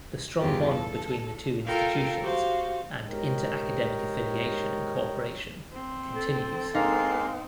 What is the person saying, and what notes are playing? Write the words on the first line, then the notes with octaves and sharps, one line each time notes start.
The strong bond between the two institutions, and inter-academic affiliation and cooperation, continues.
E2 G2 C#3 F4 G4
A4
F4 A4 A#4 F5 G5 F6
F#4 G4 C5 F5
G#2 G4 A#4 C#5 D#5 G5
C4
A4
G#3 A#3 C4 D#4 F5